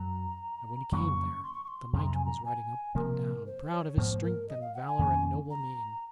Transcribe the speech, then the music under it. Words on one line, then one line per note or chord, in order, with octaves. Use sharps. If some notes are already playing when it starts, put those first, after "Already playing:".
And when he came there, the knight was riding up and down, proud of his strength and valor and noble mien.
Already playing: F#2 F#3 A#5
F2 C#3 F#3 A#3 C#6
C6
C#6
C#6
C6
F2 C3 F#3 C6
A#5
G#5
A#5
G#5
C3 F3 A#3 A#4
C5
C#5
G#2 F3 A#3 C5
A#4
D#5
F5
F#5
G#5
F2 D#3 A#3 C#4
A#5